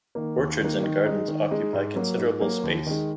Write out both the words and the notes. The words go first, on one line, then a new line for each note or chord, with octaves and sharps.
Orchards and gardens occupy considerable space.
D#3 A#3
D#2
D#3 A#3
D#3
G#3 D#4
D#3
G#3 D#4
G#2
F#3 A#3
G#2
F#3 A#3
D#2
D#3 G#3